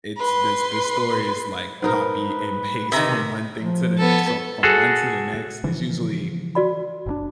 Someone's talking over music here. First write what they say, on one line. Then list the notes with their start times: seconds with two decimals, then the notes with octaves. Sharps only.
it's this the story is like copy and paste from one thing to the some from one to the next, is usually
0.17 B4 C6
1.82 G#2 D#4 A#4 B4
2.92 C3 D#3 E5 A#5
3.57 F3
3.98 B3 A4
4.63 F#4 G#4 A4
5.64 C#3 E3 F3
6.55 F#4 D5 B5
7.06 F#1 C3 D4